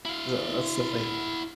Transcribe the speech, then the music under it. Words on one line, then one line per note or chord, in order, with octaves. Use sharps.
Ugh, that's definitely
E4 F5